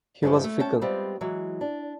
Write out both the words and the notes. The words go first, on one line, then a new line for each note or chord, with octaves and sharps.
He was fickle.
G2 F3 G#3 E4 G4
A3
C#4 G5 A5
G3 G#3 B3 C4 F4 G4
E3 F#3 G#3
D4